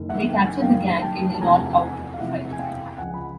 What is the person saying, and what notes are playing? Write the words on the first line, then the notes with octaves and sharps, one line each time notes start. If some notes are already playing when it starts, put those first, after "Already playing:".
They capture the gang in an all-out fight.
Already playing: F#1 F#2 D#3
E5 F#5
G5
F#5 G#5
F#1 F#2 D#3 F5 G5
G5 A5
A5
E2 C3 F3 A3 G#5 A#5
F#5 G#5
F5
E2 C3 F3 A3 E5 F#5
G#5
F5 G5
C#2 C#3 F3 G#3 F#5 G#5
B5